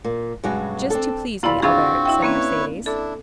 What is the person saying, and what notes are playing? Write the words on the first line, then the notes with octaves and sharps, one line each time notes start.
"Just to please me, Albert," said Mercedes.
A#2
G2 B2 F#3 G#3 C#4 F#4
C4 D4 A4
F#2 C3 E4 F4 D5 B5
C4 D4 F4 F#4 G#4 F5 B5
E4 E5 G5
A#3 C4 C#4 E4 B4 C#5
D4 E4 A4